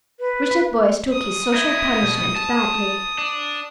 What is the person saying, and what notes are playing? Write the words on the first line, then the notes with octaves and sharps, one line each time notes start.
Richard Boyce took his social punishment badly.
B4
D#6
D#4 E4
B2
A5
D4